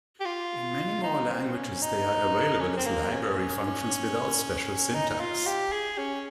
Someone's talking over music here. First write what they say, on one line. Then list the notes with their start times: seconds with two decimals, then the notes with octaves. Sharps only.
In many more languages, they are available as library functions without special syntax.
0.20 G4
0.25 F4
1.03 D#4
1.29 C4
1.55 C#4
1.82 D#4
2.60 C#4
2.77 C4
2.86 A#3
3.12 C#4
4.94 D#4
5.10 D#4
5.20 F4
5.46 G4
5.72 G#4
5.98 C#4